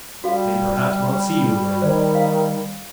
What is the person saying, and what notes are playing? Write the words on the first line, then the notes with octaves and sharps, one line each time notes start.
"I may perhaps not see you again..."
G3 F#4 A4 F5
F#4
D#3 C5 D5
F5